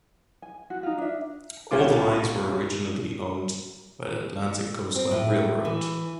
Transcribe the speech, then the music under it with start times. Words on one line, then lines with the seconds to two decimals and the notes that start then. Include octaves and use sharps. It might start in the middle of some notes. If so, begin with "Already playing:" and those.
All the lines were originally owned by the Atlantic Coast Line Railroad.
0.42 G#5
0.70 F#4
0.83 D#4 F4
0.98 D4 E5
1.71 C2 B2 C#4 F4 D6
4.95 C4
5.11 A2
5.65 E3